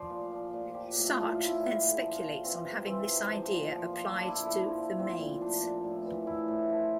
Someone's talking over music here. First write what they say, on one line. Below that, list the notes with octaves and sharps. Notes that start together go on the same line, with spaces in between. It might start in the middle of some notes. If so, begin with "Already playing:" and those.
Sartre then speculates on having this idea applied to "The Maids".
Already playing: F3 C5 D5
A#2
F3
A#2
F3 G4
A2
F3 F4
A2
E4
A#2
A#2
F3
F3
E3 C4
C3
E3 C4
C3
F3
A#2
F3
F3
F3 D4
E4
A#2
E4
F3
F3
A#2 C4
A#2
A#2 D4
A#2
A2
E3
A2 E4
A2
F3